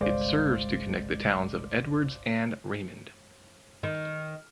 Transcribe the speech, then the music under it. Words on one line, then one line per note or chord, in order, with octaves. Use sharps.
It serves to connect the towns of Edwards and Raymond.
G1 C2 G#3 C5 D5 F5
D#3